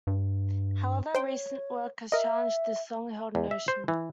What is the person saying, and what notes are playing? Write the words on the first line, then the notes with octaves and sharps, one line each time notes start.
However, recent work has challenged this long held notion.
G2
C5 C#5 G5
A#4 D#5 E5
E2
E5
C5
E3